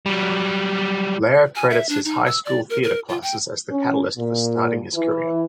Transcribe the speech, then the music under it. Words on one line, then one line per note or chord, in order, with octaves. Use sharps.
Lehre credits his high school theatre classes as the catalyst for starting his career.
F#3 G3
G#5
E5
D4
D#4
E6
D5
A#4
A#4
F4
G5
C#4
A#2
E3